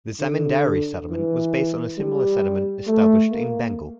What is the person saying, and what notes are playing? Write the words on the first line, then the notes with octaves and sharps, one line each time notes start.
The zamindari settlement was based on a similar settlement established in Bengal.
D3
E3
G3
A3
A#3